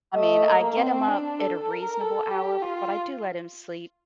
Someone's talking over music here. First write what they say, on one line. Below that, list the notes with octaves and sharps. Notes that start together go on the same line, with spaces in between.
I mean, I get him up at a reasonable hour, but I do let him sleep
A3 D#5
A#3
C4
D4
A4
A#4
A4
G4
F4